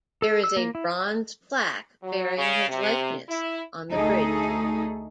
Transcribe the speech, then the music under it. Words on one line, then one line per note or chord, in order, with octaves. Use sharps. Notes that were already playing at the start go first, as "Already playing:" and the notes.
There is a bronze plaque bearing his likeness on the bridge.
A4
E6
A#3
E4
F#3
C#3
C3
E4
D2 A3 D#4 G#4 A4 D#5